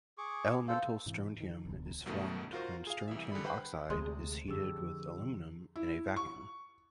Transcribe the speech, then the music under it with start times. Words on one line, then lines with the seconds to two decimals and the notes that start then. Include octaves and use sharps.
Elemental strontium is formed when strontium oxide is heated with aluminium in a vacuum.
0.18 G#4 C#6 D6
0.68 A4 C5 F5
1.06 G#2 C3 E3
1.40 D#3
1.65 D1 B1 E2 D3
2.06 C2 F#2 B2 D#3 A3
2.53 F4 F#4 A#4 C5
2.87 G#4 F5
3.08 C2 E3 E5
3.32 D3 G3 G#4 B5
3.44 B4 C5 F#5 G5 B5
3.90 D2 C3 G#3
4.48 F2 D3 G4 G#4 E6
5.76 E4
6.16 C#6